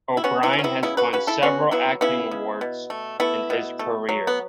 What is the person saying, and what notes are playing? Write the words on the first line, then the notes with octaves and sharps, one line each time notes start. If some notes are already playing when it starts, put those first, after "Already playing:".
O'Brien has won several acting awards in his career.
E4
B3 C#4 F#4
B3 E4
F#3
C#4
B3 E4
C#3 B3 E4
F#4 B4
C#3 F#4 B4
E4 A4
B3 C#4 F#4
F#3 B3 E4
C#3 B3 E4
C#3
B2
A3
A3 B3 E4
B2
A3
F#3
B3